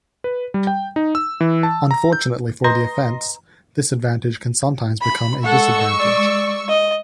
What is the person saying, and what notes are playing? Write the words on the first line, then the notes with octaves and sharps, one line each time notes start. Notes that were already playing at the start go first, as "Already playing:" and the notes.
Unfortunately for the offense, this advantage can sometimes become a disadvantage.
B4
G3
G5
D#4
E6
E3
A5
A#5
G6
B4 D#5 A#5 C6 A#6
B5
G#3 A4 F#5 C#6 E6
D5
D#5